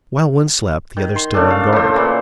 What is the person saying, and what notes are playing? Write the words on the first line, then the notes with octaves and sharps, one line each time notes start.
While one slept, the other stood on guard.
D#3
C6
C#3 A3 D4 A4
F5
A2 A4 C5
A#2 E3 A#3